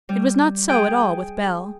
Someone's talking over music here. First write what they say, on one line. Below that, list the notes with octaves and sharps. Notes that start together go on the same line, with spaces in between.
It was not so at all with Bell.
G3
G#4 G5